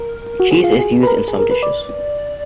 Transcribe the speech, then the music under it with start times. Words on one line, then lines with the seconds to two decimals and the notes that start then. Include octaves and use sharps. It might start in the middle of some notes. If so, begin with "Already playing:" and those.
Cheese is used in some dishes.
Already playing: A#4
0.40 F#4
0.51 G#4
0.64 F4
0.71 F#4
0.79 G#4
1.03 B4
1.07 A#4
1.28 G#4
1.39 A#4
1.51 B4
1.63 D5